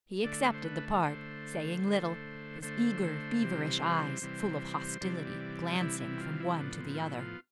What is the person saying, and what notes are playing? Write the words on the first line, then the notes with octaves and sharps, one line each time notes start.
He accepted the part, saying little, his eager, feverish eyes, full of hostility, glancing from one to the other.
D3 A3 D5
C5
C5
B4
D3 A3 C5
D3 A3
D3 A3 C5
C3 E3 G3
C3 E3 G3
C3 E3 G3 D5
C3 E3 G3 E4
E4
F4
E4
A2 F3 B3 D4
C4
F4
E4
F4